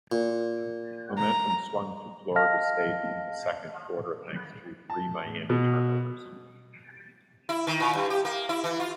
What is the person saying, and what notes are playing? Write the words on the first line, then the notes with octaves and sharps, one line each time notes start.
Momentum swung to Florida State in the second quarter thanks to three Miami turnovers.
A#2
A#5
D#5 F5 A5 F6 A#6
A5
B2
E4
D#3
A#2
G2
G4
A#3
E4
E3
F4